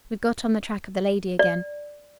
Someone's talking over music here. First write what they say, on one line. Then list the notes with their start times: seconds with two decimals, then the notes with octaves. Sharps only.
We've got on the track of the lady again.
1.39 D5